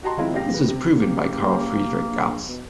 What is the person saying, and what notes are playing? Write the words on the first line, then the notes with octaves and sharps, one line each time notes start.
This was proven by Carl Friedrich Gauss.
F#4 G4 D#5 A5 A#5 C6
D#3 F3 G#3 C4 E4 F4
C#2 A#2 F4 G4 F5 A#6
C#3 G3 B3
C3
F#1 A#3 G4
A#1
B2